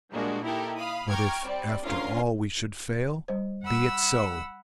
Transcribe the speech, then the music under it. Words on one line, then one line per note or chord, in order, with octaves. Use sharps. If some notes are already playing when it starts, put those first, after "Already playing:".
But if after all we should fail, be it so.
A#2 G3 G#3 A#3 D4 F#4
D#4 E4 G4 A4 A#4
F5 B5 D#6
G5 A#5 C#6 D6 F6 G#6
G3 C4 D5
D2 C#4 F4 A#4 F5 C6
G3 C5
F#5 B5 E6